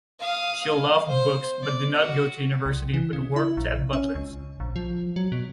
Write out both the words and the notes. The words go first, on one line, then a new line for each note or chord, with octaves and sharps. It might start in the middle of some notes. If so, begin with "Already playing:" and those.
She loved books but did not go to university but worked at Butlins.
F5 D#6
F5
C5
D5
F#4
C2
E3
C#3
E4
A#1
C#4
C#2
A#1
F3
F#3
B2